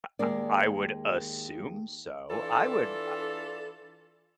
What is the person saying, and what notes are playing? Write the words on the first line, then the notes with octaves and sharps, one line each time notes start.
I I I would assume so. I would, uh
D#2 G#3 A#4 D5
E3 D4 F4 A4